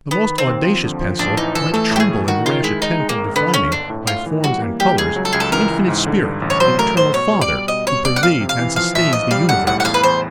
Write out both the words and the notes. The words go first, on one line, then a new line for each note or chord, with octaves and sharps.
The most audacious pencil might tremble in the rash attempt of defining, by forms and colors, the infinite Spirit, the eternal Father, who pervades and sustains the universe.
D#3 B3
D#3
C4
D#2
F3
D3
F3
A1 D4
E3 D#4
E3 A4
A3 A4
A2 G4
G#4
A2
D#3 F#4
D#3 F4
G#3 E4
G#3 D#4
G#3
A#3
G#1
D3 B3
G1 C#4
G1 D4
A2
A2 F4
E3
G3 F#4
A#3
G3 G4
C#2 G#4
F#3
A4
C#2 G#4
A4
E3 A#4
E3
G#2
D3
G2
A1
C#5
F#3 C5
A3 A#4
A3 C5
B2 C#5
G3
D5
G3
B2 D#5
B2 C#5
B2 D5
F#5
F2 F5
C3
F5
E3
F3 F5
A#1 E5
A#1 D#5
G3 F5
B1 F#5
A2 F#5
F#5
E2 F5
B4
E2 C5